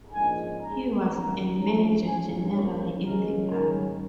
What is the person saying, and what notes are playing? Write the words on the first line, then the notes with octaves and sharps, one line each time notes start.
He was a major-general in the army.
A#1 G#2 G#3 C#4 G#5
G#2 G#3 C#4 A#5
F2 D#3 A#3 C#4 A#5
A#1 G#2 F3 C#4 A#5
G#2 F3 C#4 G#5
A#1 A#2 F3 A#3 C#4 C#5
C#2 C#3 G#3 C#4 A#4
G#2 D#3 C#4 A#4